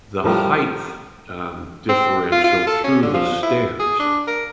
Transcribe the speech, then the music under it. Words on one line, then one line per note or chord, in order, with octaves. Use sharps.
the heighth, um, differential through the stairs,
A2 F3 G3 A#4
C4
F4
F4
A4
C#4
D3
F3
E4
G#4
D4
A#4